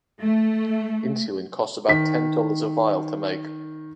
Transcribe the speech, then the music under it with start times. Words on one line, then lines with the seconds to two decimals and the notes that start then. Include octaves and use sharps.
Insulin costs about ten dollars a vial to make.
0.19 A3
1.88 D#3 B6